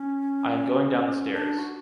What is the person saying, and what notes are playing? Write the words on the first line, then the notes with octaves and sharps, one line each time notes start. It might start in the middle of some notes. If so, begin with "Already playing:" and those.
I am going down the stairs.
Already playing: C#4
D4
F#4